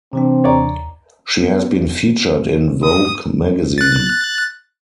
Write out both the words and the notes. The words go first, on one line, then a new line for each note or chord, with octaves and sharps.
She has been featured in Vogue Magazine.
C3 E3 C4 D4
D#2 C#5 D5 A#5
B3
D#6
F#6 A6